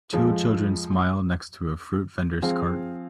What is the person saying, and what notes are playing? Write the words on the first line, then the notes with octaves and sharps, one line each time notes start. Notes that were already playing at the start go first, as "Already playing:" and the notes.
Two children smile next to a fruit vendor 's cart.
F2 F3 G#3
F3 C4 G#4 F5